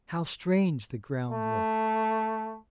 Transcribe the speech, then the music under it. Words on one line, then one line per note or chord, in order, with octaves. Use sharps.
How strange the ground looks!
A3